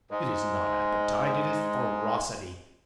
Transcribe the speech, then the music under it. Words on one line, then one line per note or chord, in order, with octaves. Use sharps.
It is not appetite, it is ferocity.
G#2 G#3